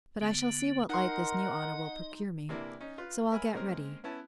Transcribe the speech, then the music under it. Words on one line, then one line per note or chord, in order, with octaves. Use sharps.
But I shall see what light this new honour will procure me!--So I'll get ready.
D3 B3
D#4 A#4 D#5 F#5 C6
C3 E3 A#3 D4 E4
C#4 D#4
F4 B4
A#4 E5 G#5 B5
G#3 A#3 C4 C#4 A#4
B3 C#4 E4 A5